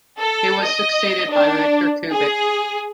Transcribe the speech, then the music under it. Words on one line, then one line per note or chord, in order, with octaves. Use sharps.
He was succeeded by Victor Kubik.
A4
D#5
D4
G#4